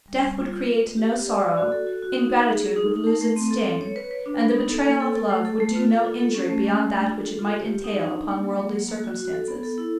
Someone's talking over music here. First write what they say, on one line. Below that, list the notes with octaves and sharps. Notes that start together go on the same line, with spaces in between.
Death would create no sorrow; ingratitude would lose its sting; and the betrayal of love would do no injury beyond that which it might entail upon worldly circumstances.
G3
G3
F4
F4
B4
F4
G4
G4
D5
D5
F#4
A4
F#4
F#4
D#4
D#4
G#4
G#4
D#4
D#4
A3
A3
C4
A4
C#5
C#5
B4
B4
D4
B3
D#4
A4
A#3
A4
A4
A3
A4
A3
F4
A4
F4
A4
C#4
A3
C#4
A3
D4
F4
A4
F4
G4
G4
D#4
D#4
D4
A#3
F#3
A#3
A#3
A#3
F#4
F#4
A4
B3
A4
E4